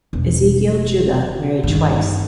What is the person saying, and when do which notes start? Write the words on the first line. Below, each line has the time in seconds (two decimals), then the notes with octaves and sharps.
Ezekiel Judah married twice.
0.13 E1
1.63 G2 D#3